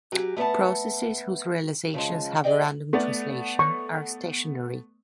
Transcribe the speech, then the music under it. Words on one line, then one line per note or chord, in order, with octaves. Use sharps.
Processes whose realizations have a random translation are stationary.
F#3 G4 G#4
A3 B3 D5 F#5 A5
C#3 F3 G#3
G#4 D5 D#5 G5
A3 B3 D5
C#6